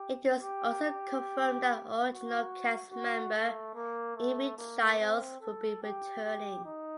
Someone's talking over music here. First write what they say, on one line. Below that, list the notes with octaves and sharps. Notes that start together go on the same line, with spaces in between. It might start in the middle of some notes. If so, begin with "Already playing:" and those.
It was also confirmed that original cast member Amy Childs would be returning.
Already playing: G4
G4
G4
F#4
F#4
A3
A#3
A3
A#3
C4
A4
G4
G4
D#4